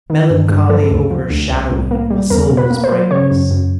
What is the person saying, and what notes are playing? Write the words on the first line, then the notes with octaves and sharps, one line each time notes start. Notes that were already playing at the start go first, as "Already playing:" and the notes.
Melancholy overshadowing of a soul's brightness!
D#3
G2
G2
F3 A4
D2
F3
D2
C2
C2
A#3
G3
E2 A#4
B2
B4
A#3
C5
F#3
C#3 C#5
F#2
F#2